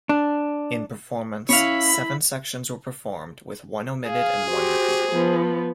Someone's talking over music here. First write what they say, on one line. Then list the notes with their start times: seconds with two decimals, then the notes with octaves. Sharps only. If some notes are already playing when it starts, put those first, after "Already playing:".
In performance, seven sections were performed, with one omitted and one repeated.
0.09 D4
1.49 C#4 E4 C#5 F5 B5
4.06 G#4 F5
4.48 F#4 G4 C5
5.11 F3 B3